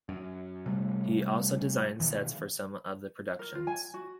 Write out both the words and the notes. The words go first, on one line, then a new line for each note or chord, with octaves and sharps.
He also designed sets for some of the productions.
F#2
C3 G3 A3
B2 D#3 E3
A#4
F4
G#5
F#4